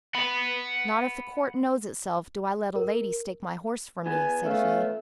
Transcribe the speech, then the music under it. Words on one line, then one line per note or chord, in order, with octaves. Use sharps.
"Not if the court knows itself do I let a lady stake my horse for me," said he.
F#5 B5
A#4
E3 B3 G#5
A3 C#4 F5